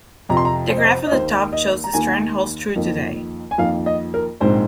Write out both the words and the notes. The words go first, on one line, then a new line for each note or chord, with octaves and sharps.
The graph at the top shows this trend holds true today.
F2 C3 F3 A#5
C6
A#5
C5
D#5
C5
D#5
D#2 D#3 A#3 C5
D#5
A#5
D#2 D#3 A#3 G#5
F2 D#3 A#3
G#5
F2 D#3 A#3 F5
D#5
A#4
A#1 G#2 D#3 G#3 C4 C5